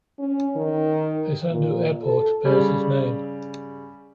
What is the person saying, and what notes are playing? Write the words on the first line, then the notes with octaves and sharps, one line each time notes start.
Paysandú Airport bears his name.
C#4
D#3
A#2
A4
C#3 G3